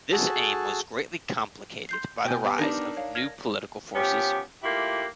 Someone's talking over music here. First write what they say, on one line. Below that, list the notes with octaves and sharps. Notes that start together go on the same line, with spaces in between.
This aim was greatly complicated by the rise of new political forces.
F#4 G#4 A4 A5
C6 G6 C7
B2 G5 G#5 G6
B3 G4 D6
D4 D#4 A#4
C#5 F5
F6 G#6 A#6
F3 B3 C#4 G4
A3 A#3 E4 F4 G4